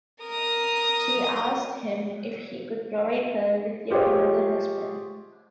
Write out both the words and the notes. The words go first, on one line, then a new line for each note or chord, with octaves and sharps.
She asked him if he could provide her with yet another husband.
A#4 D#6
F4 G4 G#4 C5 C#5